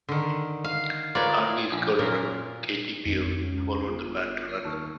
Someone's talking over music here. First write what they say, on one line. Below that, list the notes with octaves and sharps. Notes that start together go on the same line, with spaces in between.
Harvey's girlfriend Katy Beale followed the band to London.
D3 D#3
F5
F4 A#4 B4 C#5 D5
A#1
F#2 A#2 A#4
G#1 F2
C#2
G1 F4
D#2 A5 C#6 F6